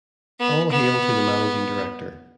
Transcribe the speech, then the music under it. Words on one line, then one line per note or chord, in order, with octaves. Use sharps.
All hail to the managing director!
B3
B3